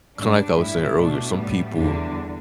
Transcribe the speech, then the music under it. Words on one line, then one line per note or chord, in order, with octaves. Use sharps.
kinda like I was saying earlier, some people
G2 G3 D4
A2 G3 E4
B2 A3 D4
A2 G3 B3
E2 D3 G3 D4